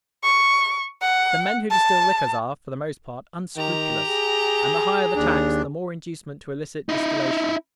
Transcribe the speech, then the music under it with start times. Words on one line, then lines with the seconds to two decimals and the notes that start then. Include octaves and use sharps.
The men who distil liquors are, for the most part, unscrupulous; and the higher the tax, the more inducement to illicit distillation.
0.24 C#6
1.02 F#5
1.71 A5
3.57 D#3 G4 A#5
4.09 G#4
5.16 D#2 D4
6.89 D#4 E4